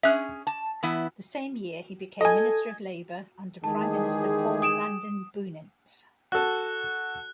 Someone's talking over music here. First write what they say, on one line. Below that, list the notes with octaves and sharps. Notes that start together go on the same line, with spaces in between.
The same year he became minister of Labour under Prime Minister Paul Vanden Boeynants.
C#4 G#4 E5 F#6
A5
E3 B3 E4
A4 D#5 G#5
E2 D#3 G#3 G4 G#4 A5
D#6 D7 E7
F#4 A4 F#6